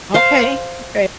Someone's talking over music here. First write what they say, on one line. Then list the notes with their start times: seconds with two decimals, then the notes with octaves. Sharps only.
Okay, okay.
0.14 C5 F5